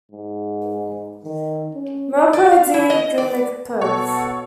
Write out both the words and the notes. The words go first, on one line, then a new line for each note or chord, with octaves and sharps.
Mirko D. Grmek, pref.
G#2
D#3
C#4
D5
F5
E4
D#5
D5
B2 A4 C#5 F#5